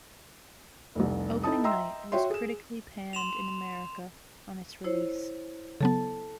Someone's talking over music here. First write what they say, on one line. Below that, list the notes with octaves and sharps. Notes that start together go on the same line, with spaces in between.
"Opening Night" was critically panned in America on its release.
F1 C2
D#4 E4 A4 A5 D#6
D#5 E5 G5 A#5 C6 E6
F#4 C#5 E5 G5 C6
G#4 E7
C6 E7 F7
E4 C5 C#5
C#3 F#3 B3 A4 A5